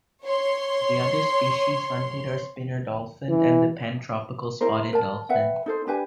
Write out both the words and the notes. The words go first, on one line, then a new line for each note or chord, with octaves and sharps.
The other species hunted are Spinner Dolphin and the Pantropical Spotted Dolphin.
C#5 C6
E3
E4 G#4 A#4 C5
A#4 A5
B4 E5 F#5 G5
D#4 A4 C5
D4 G4 B4 G#5